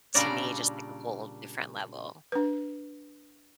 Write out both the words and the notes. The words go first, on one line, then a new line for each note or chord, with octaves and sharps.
to me just like a whole different level.
A#2 C#3 G3 D4 D5 A#5
D4 B4